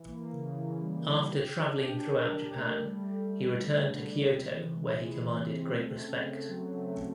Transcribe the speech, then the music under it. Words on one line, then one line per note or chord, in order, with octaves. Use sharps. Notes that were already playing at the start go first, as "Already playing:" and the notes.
After traveling throughout Japan, he returned to Kyoto where he commanded great respect.
Already playing: E3
A#3
C#3
E3
G3
C#3
G4
D4
G4
A#4
G4
A3
G3
G3
G3
D3
D3
G3
C3
E3
G#3
E3
C3
C4
A3
C#3
C#3
F#3
A3
C#3